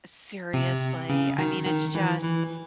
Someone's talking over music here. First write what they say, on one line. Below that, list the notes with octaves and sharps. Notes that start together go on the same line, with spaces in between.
Seriously. I mean, it's just
C3
C#3
D#3
D#3
E3
E3